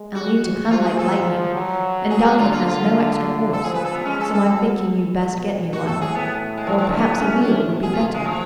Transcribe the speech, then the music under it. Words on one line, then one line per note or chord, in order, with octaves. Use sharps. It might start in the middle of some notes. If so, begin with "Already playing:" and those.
I'll need to come like lightning, and Duncan has no extra horse, so I'm thinking you'd best get me one--or perhaps a wheel would be better.
Already playing: G#3
F#4
F#4
F3 F4
F#4
G#4
A4
F#3
G#4
F#4
D3 F4
F4
F4
D3
A4
F3 G#4
B4
A4
B3
G#3 C#4
A4
A4
F#3
B2
A2 F#4
A4
G#4
B3
G#3
F3
F3
D3
B3
C#4
A2 D4
B2 G#4
F4
G#3
F3